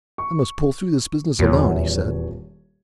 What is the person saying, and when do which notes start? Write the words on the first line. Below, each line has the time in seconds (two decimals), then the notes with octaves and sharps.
I must pull through this business alone,' he said.
0.18 C#6
1.39 D#1 E2 C#5